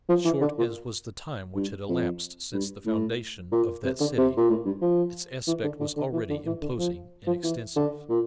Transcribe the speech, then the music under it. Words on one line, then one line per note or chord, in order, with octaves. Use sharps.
Short as was the time which had elapsed since the foundation of that city, its aspect was already imposing and extensive.
F3
E3
D3
A#2
G2
F2
G2
A2
A#2
C3
D3
C3
A#2
A2
G2
F3
E3
D3
D3
D3
E3
D3
E3
D3
F3
F3
E3
D3
A#2